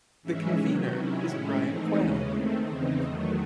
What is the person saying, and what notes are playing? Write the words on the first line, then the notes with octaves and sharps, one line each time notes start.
The convenor is Brian Quail.
G#2 E3 G#3 C#4 E4
C3 D#3 F#3
C3 D#3 F#3 C#4 E4
A2 G#3 C#4 E4
G#2 E3 A3 C4 D#4
D#2 C#3 E3 G#3 C#4
D#3 A3 C4
E2 C#3 E3 C4 D#4
E2 D#3 F#3 A3